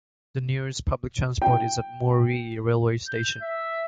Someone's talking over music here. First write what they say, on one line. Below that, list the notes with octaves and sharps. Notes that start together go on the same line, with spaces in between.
The nearest public transport is at Moree railway station.
G5
G6
E5